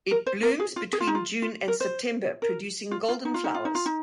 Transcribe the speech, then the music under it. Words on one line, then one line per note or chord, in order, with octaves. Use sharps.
It blooms between June and September producing golden flowers.
A#4
C5
A#4
G#4
F4
G#4
F4
D#4
F4
F4
A#4
C5
A#4
F4
F4
D#4
F4
D#4
F4
D#4
F4
D#4